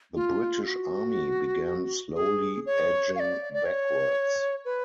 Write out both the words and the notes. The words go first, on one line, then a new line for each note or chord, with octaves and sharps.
The British army began slowly edging backwards.
F4
F#4
G#4
C#5
F5
D5
D5
C#5
B4